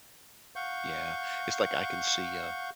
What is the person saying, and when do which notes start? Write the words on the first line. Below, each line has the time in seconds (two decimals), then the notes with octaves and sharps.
Yeah, it's like I can see, uh
0.56 F5 F#5 C#6 G6